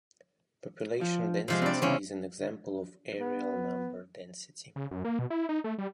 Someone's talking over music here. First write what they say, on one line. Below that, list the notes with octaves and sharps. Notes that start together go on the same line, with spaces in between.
Population density is an example of areal number density.
F3
C3 F3 G#3
G3 C4 D4 D5
E2 C#3 E3 C4 C#4
B3
C#3
F#2
A#3
B2
E4
D#4
A3
G3